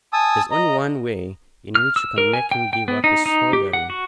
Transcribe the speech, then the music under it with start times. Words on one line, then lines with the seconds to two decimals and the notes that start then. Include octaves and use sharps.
"There is only one way in which you can make him give up his soldiering."
0.13 G#5 A5 D#6 E6
0.51 D#5 A#5
1.75 F6
1.96 E6
2.18 A#4
2.33 G#5
2.51 G5
2.73 G5
2.88 B3
3.04 D#4
3.26 D#4
3.53 G4
3.73 F#5
3.90 F#4